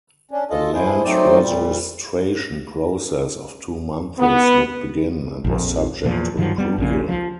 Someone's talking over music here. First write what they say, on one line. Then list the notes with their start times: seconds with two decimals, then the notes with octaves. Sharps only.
A land registration process of two months would begin and was subject to approval.
0.31 C#4 D4
0.51 F4 A4 D#5
0.74 E4 G#4 C5
1.04 F#3 A3 C4 D#4 C5 D5
1.41 A#2 G3
4.19 B3
5.45 A#1 F2
6.04 E2 A#2 F3
6.37 G2 D#3 F3 F#3
6.58 G3 B3
6.78 A#1 A#2 C#3
7.09 F3